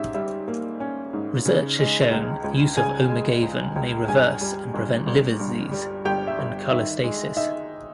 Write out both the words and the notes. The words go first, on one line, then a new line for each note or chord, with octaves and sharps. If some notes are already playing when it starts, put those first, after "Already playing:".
Research has shown use of Omegaven may reverse and prevent liver disease and cholestasis.
Already playing: G#2 C#4 G4 E5
G3 E5
A#3
C#4
G#2
C#3
G#3
C#2
C#2
C#3 G#4 G#5
G#3
C#2
C#2
G2 G#4 G#5
G3
G1
G1
G2
G3
G1 G4 G5
E5
G1
D#3 E5
G#3
D#4 E5